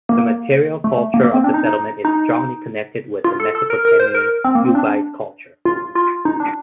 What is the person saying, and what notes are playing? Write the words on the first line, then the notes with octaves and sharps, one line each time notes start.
The material culture of the settlement is strongly connected with the Mesopotamian Ubaid Culture.
A#3
A3
A#3
A#3
C4
D4
D#4
D#4
D#4
F4
A4
A4
A#4
A#4
C5
A#4
C4
A#3
C4
D4
F4
F4
D#4
D4